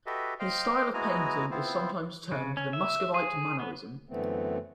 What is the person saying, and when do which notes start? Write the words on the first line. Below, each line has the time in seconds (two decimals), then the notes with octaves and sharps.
His style of painting is sometimes termed "the Muscovite mannerism".
0.06 F#4 G4 A4 B4 D#5 E5
0.39 C5 D#5 F5 G5
0.94 G#3 B3 E4 F#4 G#5 A#5
1.51 B3 C4 E4 F4 C5
2.32 C#3
2.57 C#4
2.73 E5
3.14 G#4
3.59 B3
4.09 F#2 D3 E3 A3 B3 C4